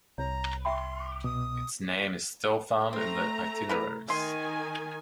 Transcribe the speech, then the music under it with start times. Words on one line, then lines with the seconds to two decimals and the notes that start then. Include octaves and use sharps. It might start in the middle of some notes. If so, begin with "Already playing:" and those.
Its name is still found in the Itineraries.
0.18 C2 C#5 A#5
0.65 E5 G5 B5 C6
1.24 B2 D#6
2.93 A3 C4 A#5
3.69 E4 A#4 B4
4.08 D#3 E5 G#5 C6